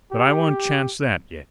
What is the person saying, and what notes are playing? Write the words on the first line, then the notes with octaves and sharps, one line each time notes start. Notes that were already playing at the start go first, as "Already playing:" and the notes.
But I won't chance that yet.
G4